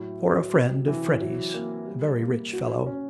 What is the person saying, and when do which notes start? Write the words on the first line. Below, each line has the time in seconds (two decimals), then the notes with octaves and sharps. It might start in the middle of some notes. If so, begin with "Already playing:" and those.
'For a friend of Freddy's--a very rich fellow.
Already playing: A2 F#3
0.22 F#3
0.55 C3
0.88 E3
1.21 F#3
1.54 A#3
1.86 G3
2.20 A#3
2.53 F#4
2.86 C#4